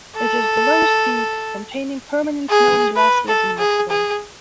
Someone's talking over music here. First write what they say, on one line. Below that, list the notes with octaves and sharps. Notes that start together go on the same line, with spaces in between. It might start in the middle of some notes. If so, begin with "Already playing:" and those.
It is the lowest peak containing permanent snow and glaciers in Mexico.
A4
G#4
B4
A4
G#4
G#4